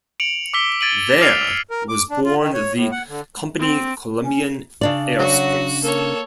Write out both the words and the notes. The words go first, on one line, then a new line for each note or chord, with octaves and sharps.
There was born the "Company Colombian airspace".
C#7 D7 F7 F#7
D6 E6 B6 G7
G#6 A6 D7 D#7 F#7
D6 F6 C7 C#7 F7
A#4
D6
D4
F4
D#3
C#5
A2
F#5
D3
C4
C#4
C#3 D4 D5
F#3 F#4
A#3 A4 C#5